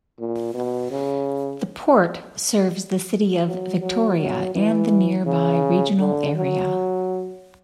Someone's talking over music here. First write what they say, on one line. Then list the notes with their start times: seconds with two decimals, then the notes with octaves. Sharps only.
The Port serves the city of Victoria and the nearby regional area.
0.19 A#2
0.54 B2
0.91 C#3
3.46 F#3
3.81 F#3
4.18 F#3
4.55 E3
5.26 C#3
5.99 D3
6.36 F#3